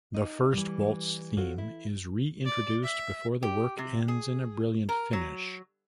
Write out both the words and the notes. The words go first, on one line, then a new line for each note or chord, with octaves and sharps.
The first waltz theme is re-introduced before the work ends in a brilliant finish.
D#4
E3 G3
F4 F#4 A4 C5 C#5
E4
D5
E5
G4
C3
G#4
A#4
F#3